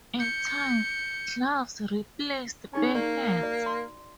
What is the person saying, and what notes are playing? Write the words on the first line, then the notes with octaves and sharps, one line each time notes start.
In time, gloves replaced bare hands.
G6 C#7
C#4 D#4 G#4 A5
A#3 D5 C#6
F#4 D5
C6